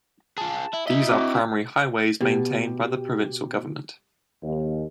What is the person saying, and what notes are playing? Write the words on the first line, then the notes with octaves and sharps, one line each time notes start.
These are primary highways maintained by the provincial government.
F4 G#4 A5
E4
E4 D#5 E5
C4 F#4 D6
B2 G4
D#2